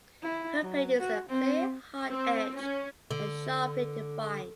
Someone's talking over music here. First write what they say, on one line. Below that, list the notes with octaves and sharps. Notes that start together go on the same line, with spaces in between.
Her paintings are clear, hard-edged and sharply-defined.
E4
F#3
F#4
C4
C4
C#4
D3